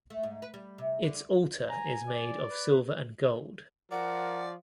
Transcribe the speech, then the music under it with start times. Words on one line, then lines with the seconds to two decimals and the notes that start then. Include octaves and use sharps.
Its altar is made of silver and gold.
0.10 A3
0.23 G#2
0.42 B4
0.54 G3
0.78 C3
1.03 D3
1.69 G#5 A#5
2.08 D5
2.49 B4
3.91 F3 A#4 D5 F#5